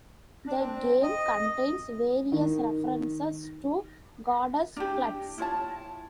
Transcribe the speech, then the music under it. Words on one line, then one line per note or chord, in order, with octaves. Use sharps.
The game contains various references to Goddess-cults.
D4
C4
D#5
D#3
D4 E4 G4
E4 F4 C#5 A5